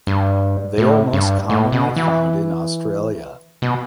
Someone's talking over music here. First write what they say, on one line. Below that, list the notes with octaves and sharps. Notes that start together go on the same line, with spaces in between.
They are most commonly found in Australia.
G2
A2
G2
A2
B2
E3
B2